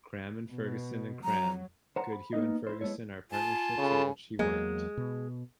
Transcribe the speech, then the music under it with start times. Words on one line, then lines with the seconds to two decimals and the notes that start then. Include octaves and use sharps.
Cram and Ferguson and Cram, Goodhue and Ferguson are partnerships in which he worked.
0.48 B2
1.24 F#3 A#5
1.96 C5 F#5 A#5
2.13 B5
2.33 A#3 B3 D#4 D#5
2.67 E4 C5
2.81 G#3 A3 B3 E4 C#5
3.31 F4 G#5 A5
3.78 C#3 A4 B5 C#6
4.39 E2 F#3 G#3 A#3
4.97 B2